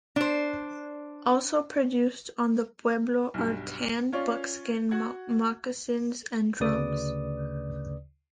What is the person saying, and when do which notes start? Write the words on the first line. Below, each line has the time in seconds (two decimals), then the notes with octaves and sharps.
Also produced on the pueblo are tanned buckskin moccasins and drums.
0.16 D4 C5
3.34 B1 G2
4.13 C#4 F4 C#5 D5
4.91 F#4 F#5 G#6
6.60 D2 C#3 B4 D5 D#6